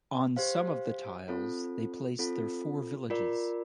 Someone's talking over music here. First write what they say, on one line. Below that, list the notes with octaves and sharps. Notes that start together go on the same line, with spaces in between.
On some of the tiles they place their four villages.
G4 C5 F5
C4 F4 A4
C4 F4 A4
F4 A#4 D5